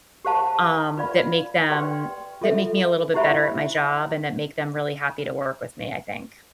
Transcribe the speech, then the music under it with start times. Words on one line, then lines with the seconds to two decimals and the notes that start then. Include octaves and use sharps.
Um, that make them that make me a little bit better at my job and that make them really happy to work with me, I think.
0.25 G4 C5 F5 A5
0.97 F4 B4 D5 F5 B5
1.70 G4 B4 D5 G5 C6
2.42 F4 A4 E5
3.14 E4 G4 C5 E5 B5